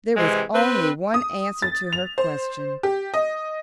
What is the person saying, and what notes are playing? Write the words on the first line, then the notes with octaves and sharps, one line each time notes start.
There was only one answer to her question.
C3 E3 G#3 C4
C4 B4
D#6
A6
F7
C5
G4
D#5